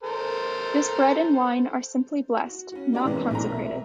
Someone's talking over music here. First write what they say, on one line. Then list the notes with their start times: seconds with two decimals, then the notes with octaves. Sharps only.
This bread and wine are simply blessed, not consecrated.
0.03 A4 A#4 C5
2.46 F#4
2.72 C#4 F#4
2.92 A#3 G4 D5 A#5
3.05 G2 C3 E3 G#3 B3 C#4
3.31 B1 A3 A#5
3.50 A#4 E5